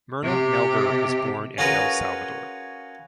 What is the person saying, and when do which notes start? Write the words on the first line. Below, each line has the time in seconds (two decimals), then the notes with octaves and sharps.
Myrna Melgar was born in El Salvador.
0.22 C3 G4
1.58 C#4 F4 F#4 G#4 A#4 B4